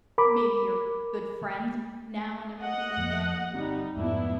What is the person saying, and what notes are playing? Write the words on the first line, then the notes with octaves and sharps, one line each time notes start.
maybe you're good friends now and everything like that,
A#4 B5 D6
D#5 F#5
F2 F3 A#3
G1 G3 C4 D#4
F2 G#2 A3 B3 D4 E4